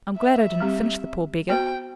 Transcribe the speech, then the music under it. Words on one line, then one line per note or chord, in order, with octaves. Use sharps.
I'm glad I didn't finish the poor beggar.
E5
G3 C4 G4
B3 F#4 C5 G5